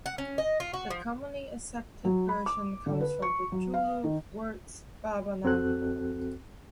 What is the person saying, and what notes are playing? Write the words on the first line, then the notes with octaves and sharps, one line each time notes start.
The commonly accepted version comes from the Zulu words 'baba nango'.
F#5
C#4
D#5
F4
F#4
F3
F#3
B5
D6
D3
B4
C#6
F#3
F5
D#3
F2 C4 F#4 A4 F#6